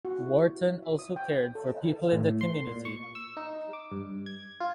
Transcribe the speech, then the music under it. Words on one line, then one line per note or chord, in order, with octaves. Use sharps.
Wharton also cared for people in the community.
F#4
E4
E5
D#6
G5
A4
A2
C6
A#2
C#6
E6
D#4
D6
G2
G#6
F4